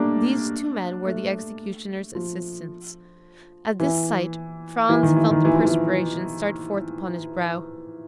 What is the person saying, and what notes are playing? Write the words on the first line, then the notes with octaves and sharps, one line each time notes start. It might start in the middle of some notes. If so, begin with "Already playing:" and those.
These two men were the executioner's assistants. At this sight Franz felt the perspiration start forth upon his brow.
Already playing: G3 A3 A#3 D4
A3
F3
E3
E3
D#3
E3
D#3
E3
F3
E3